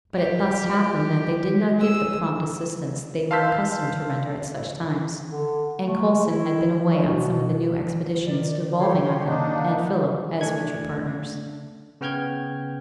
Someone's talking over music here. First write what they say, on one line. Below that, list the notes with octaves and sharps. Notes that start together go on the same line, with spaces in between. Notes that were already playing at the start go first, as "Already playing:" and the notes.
But it thus happened that they did not give the prompt assistance they were accustomed to render at such times; and Coulson had been away on some of the new expeditions devolving on him and Philip as future partners.
G4
F#3 F4
G#3 A3 G#4 E6
F5 A5 C6 E6 G6 B6
D3
A3
E4
F#3
B2
D#3 D5
G4 A4 C#5 C6
D#3 A#3 D4 D#4 F#5
A3 D4 G#6
C#3 B3 G5 F6 G6 G#6